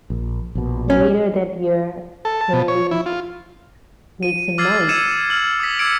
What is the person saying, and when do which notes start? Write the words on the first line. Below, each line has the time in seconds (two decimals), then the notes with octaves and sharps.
Later that year, he released "Make Some Noise".
0.10 A#1
0.55 A#1 B2
0.90 C#4
2.25 A4
2.41 A5
2.53 B2
2.68 C#5
2.91 E4
3.06 F4
4.23 D#7
4.58 D6 E6 F6 G#6 A6 C7
4.89 E6 G#6 C#7 D#7 E7
5.30 F6 F#7
5.60 D#6 B6
5.79 D6 E6 G#6 B6 C#7 D7